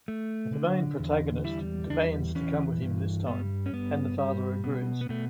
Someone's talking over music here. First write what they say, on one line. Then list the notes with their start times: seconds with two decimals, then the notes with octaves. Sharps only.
The main protagonist demands to come with him this time, and the father agrees.
0.08 A3
0.53 D3
0.98 E2
1.44 G3 E4
1.90 E2 D4
2.35 E3 C#4
2.82 G2
3.26 G3 B3
3.66 C#4
3.73 G2 B3
4.18 G3
4.64 B2
5.01 B3
5.09 B2 A3